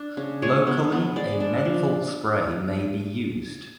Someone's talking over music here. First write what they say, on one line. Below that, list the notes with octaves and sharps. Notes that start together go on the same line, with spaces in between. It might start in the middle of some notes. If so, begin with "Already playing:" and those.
Locally a menthol spray may be used.
Already playing: D4
C#3
G#3 C#5
B3
B3
G#3 D5
D4
F3